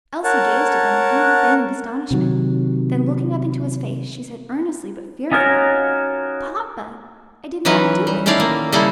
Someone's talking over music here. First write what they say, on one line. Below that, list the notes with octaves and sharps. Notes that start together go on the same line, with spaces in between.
Elsie gazed at them in unfeigned astonishment; then looking up into his face, she said earnestly but fearfully, "Papa, I did not do it."
A#4 C#5 F#5 A5
C3 D#3 F#3
C#4 D#4 F4 F#4 A#4 C#5
E3 F#3 C#4 D#4 B4
G3
D#3 A3 C#4 E4 D5 F5
A#3
C#3 G3 A#3 E4 G#4 A4